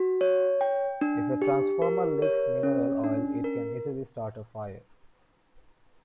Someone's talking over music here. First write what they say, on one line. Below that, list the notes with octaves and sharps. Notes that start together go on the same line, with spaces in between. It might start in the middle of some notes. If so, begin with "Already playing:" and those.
If a transformer leaks mineral oil, it can easily start a fire.
Already playing: F#4
C#5
G5
D4
G4
A#4
C#5
C#4
D4
A#4